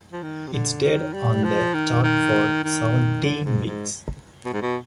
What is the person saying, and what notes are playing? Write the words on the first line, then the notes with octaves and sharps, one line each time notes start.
It stayed on the chart for seventeen weeks.
F3
D#3
C3
D3
D#3
G3
F3
D#3
D#3
D#3
D3
G#2
G#2
B2
G#2
B2